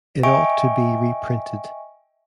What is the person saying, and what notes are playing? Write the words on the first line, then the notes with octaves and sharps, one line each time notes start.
It ought to be reprinted.
D#5 E5 G5 G#5 C#6 D7